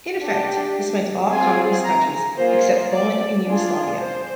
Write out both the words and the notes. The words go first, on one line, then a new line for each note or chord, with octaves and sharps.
In effect, this meant all communist countries, except Poland and Yugoslavia.
D4 G4
C4 F4 G#4 G#5
A#5
A#3 F4 G#4 C5
D5
D4 F4 G#4
C5